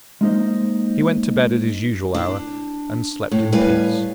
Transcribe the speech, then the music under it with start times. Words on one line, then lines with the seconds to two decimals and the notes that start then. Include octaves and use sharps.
He went to bed at his usual hour, and slept in peace.
0.21 G#3 A#3 D#4 C5 D#5
2.14 D4
3.31 A2
3.52 A2 G3 B4 F5 G#5